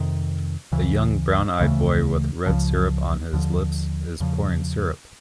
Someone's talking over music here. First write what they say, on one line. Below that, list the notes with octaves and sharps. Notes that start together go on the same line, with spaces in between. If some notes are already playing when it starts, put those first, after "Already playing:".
A young brown eyed boy with red syrup on his lips is pouring syrup.
Already playing: F2 C3 D#3
D2 C#3 E3
D2 C#3 E3 A3
C#2 C#3 F3
D#2 D3 F3
E2 C#3 F3